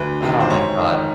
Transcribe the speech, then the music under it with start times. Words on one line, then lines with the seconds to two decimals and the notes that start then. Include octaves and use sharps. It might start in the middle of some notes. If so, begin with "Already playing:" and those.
oh, my god.
Already playing: D2 B4
0.22 C3 D#3
0.40 C5
0.50 G#2 C#5
0.79 D#3